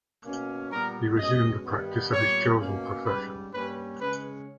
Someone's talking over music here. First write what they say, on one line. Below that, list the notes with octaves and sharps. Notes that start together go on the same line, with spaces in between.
He resumed the practice of his chosen profession.
B2 A#3 C#4
A#2 G3 B3 A#4
B2 G#3 C#4 D#5
G2 D#3 G3 B3
A#2 G3 B3 C#5
B2 A#3 C#4
G#2 G3 C#4 B4
G2 G3 A#3 C#4 B4
C#3 G#3 C#4 B4